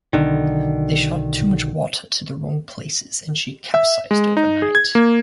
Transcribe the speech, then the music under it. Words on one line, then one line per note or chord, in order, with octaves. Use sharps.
They shot too much water to the wrong places and she capsized overnight.
B1 D3 D#3
E5
G#3
D#4
G#4
G#6
A#3